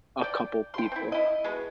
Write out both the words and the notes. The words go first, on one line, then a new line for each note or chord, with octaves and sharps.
a couple people,
D5 G5
G5 C6
C4 E4
E4 D#5
G#3 B3 F#4